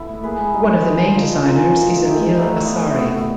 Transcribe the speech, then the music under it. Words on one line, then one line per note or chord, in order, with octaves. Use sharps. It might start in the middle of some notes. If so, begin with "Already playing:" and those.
One of the main designers is Emile Asari.
Already playing: B3 E4 A4
A3
A#3 G#4 B4
G#3
G3 D#4
F3 G#4 C5 D#5
D#3
D3 F3
C#3
A#3 C#4 F4
D3
F#3 A#3
A3
A3 D#4 G4
G#3
G3 A3
B3 E4
B3